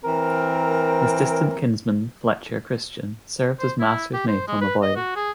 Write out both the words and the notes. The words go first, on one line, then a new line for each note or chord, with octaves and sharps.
His distant kinsman Fletcher Christian served as master's mate on the voyage.
E3 C4 A#4
C5
E4
G4
C5
G#3
B4
D#5
F#4
G#4